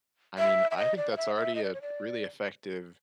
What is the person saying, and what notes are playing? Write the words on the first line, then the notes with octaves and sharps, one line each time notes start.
I mean, I think that's already a really effective,
E5
E5
D#5
D5
F5
E5
E5
D#5
D5
C#5
D5